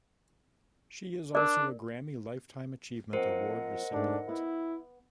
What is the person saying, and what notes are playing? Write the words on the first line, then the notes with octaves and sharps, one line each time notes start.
She is also a Grammy Lifetime Achievement Award recipient.
D4 A#4 D5
F3 A#3 C4 A#4 C5 D#5 F#5
G#2 A3 D4
B3 E4